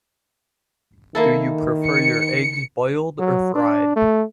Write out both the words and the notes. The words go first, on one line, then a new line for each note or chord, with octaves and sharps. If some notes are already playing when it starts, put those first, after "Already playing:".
Do you prefer your eggs boiled or fried?
D#3 A#3 E4 A4
C#7
F#3
D4
A3